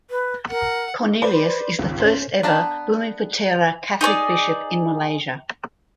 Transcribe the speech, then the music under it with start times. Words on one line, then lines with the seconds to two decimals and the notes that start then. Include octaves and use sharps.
Cornelius is the first ever bumiputera Catholic bishop in Malaysia.
0.10 B4
0.50 A#4 F#5
1.22 B4 C5 D5
1.79 G#1 C#2
2.00 C#4 C5
2.43 B3 D4 A5 A#5
4.01 D#4 G#4 C#5 D5